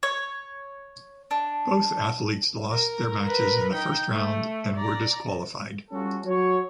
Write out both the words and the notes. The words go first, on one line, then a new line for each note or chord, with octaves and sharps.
Both athletes lost their matches in the first round and were disqualified.
C#5
D4
A#4
A#4 B4
D#4 G5
A3
D5 A#5
G3 C#4 F4 F#4 A4
F#3 C#5